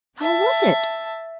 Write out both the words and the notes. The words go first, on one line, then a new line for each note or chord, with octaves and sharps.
How was it?
E5 A5